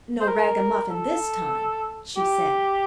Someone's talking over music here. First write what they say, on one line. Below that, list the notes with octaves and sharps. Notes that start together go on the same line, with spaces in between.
"No ragamuffin this time," she said.
C5
A#4
A4
G4